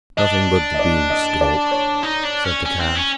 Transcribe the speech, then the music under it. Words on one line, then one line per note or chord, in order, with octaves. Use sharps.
"Nothing but the bean-stalk," said the Cow.
D4 D#5
D#5
D5
D#5
D5
C#5
D#4
D4
C#4
C#4
C4
C#4